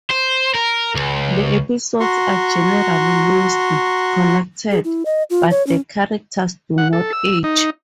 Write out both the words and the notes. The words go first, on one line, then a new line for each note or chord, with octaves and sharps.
The episodes are generally loosely connected, but the characters do not age.
C5
A#4
C#2
F#4 A#5 C6 C#6
G#4
E4
D#5
F4
C#5
C#4
F#5
A4
E6
D#4